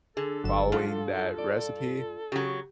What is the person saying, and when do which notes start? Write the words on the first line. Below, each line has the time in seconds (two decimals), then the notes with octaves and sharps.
following that recipe.
0.17 D3 G#4 A4
0.44 G1 F#3 E7
0.72 G2 F#3 F4
1.38 D5
2.32 C#3 F#3 G4